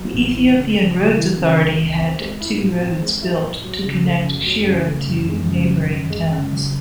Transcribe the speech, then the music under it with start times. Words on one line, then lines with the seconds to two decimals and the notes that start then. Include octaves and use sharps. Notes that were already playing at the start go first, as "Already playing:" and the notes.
The Ethiopian Roads Authority had two roads built to connect Shire to neighboring towns.
Already playing: F#3
0.14 A1
0.35 E3
0.55 C#3
0.76 C#2
0.96 C#2
1.17 E3
1.37 C#3
1.57 C#2
1.79 C#2
1.99 C4
2.20 G#3
2.41 E4
2.61 A2
2.82 C4
3.02 G#3
3.23 E4
3.44 A2
3.64 F#3
3.85 C#3
4.05 A3
4.25 F#2
4.47 F#3
4.67 C#3
4.87 A3
5.08 F#2
5.29 G#3
5.49 C#3
5.70 F#2
5.89 F#2
6.10 G#3
6.31 C#3
6.52 F#2